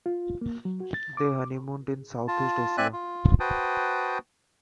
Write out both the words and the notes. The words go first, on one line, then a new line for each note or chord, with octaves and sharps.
They honeymooned in South-East Asia.
F4
A#3
F#3
F#4
A6
D6
F4 A5
C4 D5 E5 G#5 F#6
F4
F#4 B4 C5 G5 A5 D#6